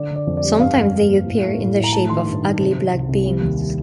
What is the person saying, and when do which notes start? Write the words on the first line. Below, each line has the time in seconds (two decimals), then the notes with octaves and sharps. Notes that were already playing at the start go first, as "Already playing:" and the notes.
Sometimes they appear in the shape of ugly black beings.
Already playing: D3 D5
0.11 D3
0.16 D5
0.27 F2
0.37 D5
0.43 G3
0.60 G2 F5
0.76 G2
0.94 G2
1.09 A#3
1.26 A2
1.43 A3
1.59 A2
1.76 A2
1.84 A#5
1.93 A3 A5
2.09 D#3 C6
2.26 G2
2.42 D#3
2.59 C3
2.76 C3
2.92 C2
3.09 C2
3.26 G3
3.41 D#2
3.59 G3